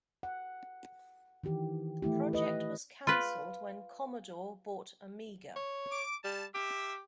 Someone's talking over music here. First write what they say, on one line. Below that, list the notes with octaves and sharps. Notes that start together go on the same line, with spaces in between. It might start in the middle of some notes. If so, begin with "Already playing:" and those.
The project was cancelled when Commodore bought Amiga.
F#5
D#3 E3 G4
E3 A3 E4 G4
B4 D#5
F4 B4
C#5
D6
G3 A5
A#3 G4 E5